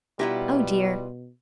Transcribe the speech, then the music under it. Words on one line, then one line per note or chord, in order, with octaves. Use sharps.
Oh dear!
B2 G3 B3 E4 F4 G4 A#4